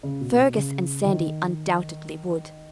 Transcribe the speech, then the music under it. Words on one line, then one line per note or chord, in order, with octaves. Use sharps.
Fergus and Sandy undoubtedly would.
C#3
B2
B2
C#3
D#3